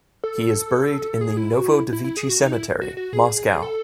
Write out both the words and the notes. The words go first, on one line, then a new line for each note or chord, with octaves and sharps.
He is buried in the Novodevichy Cemetery, Moscow.
A4
G#4
E4
F#4
E4
E4
E4
G#4
F#4
D#4
E4
F#4
F#4
G#4
A4